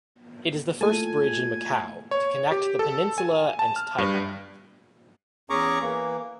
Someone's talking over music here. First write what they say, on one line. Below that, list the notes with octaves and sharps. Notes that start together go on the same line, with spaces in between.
It is the first bridge in Macau, to connect the peninsula and Taipa.
A3 A#3 E4 F4 A4 G#5
C#5
G4
A4
G#5
A5
F6
G2
E2 C#4 G#4 A#5 C#6 D6
E3 A#3